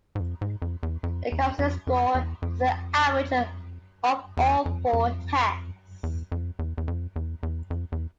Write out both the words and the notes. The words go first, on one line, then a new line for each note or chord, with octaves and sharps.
The composite score is the average of all four tests.
G#2
F2
G#2
F2
E2
F2
E2
F2
F2
E2
F2
E2
F2
F2
E2
F2
E2
E2
F2
E2
E2
F2
E2